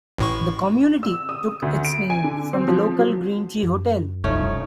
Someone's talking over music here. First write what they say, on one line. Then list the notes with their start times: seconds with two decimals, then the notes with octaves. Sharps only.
The community took its name from the local Green Tree Hotel.
0.18 A1 A2 C#6
1.03 E6
1.29 D#6
1.62 D2
1.85 D7
2.10 G#5
2.24 D3
2.53 C4
2.68 F3
2.99 F#3
3.63 F#2
4.24 E1 C2 F3 A3 C#4 D#4 C#5